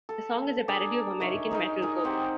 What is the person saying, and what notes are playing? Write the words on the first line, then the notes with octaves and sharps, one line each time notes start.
The song is a parody of American metalcore.
A4
D4 G#4 A#4 D5
D#4 A#4 C#5 E5
D#4 A#4 D#5
D#4 G#4 A#4
C4 G4 F#5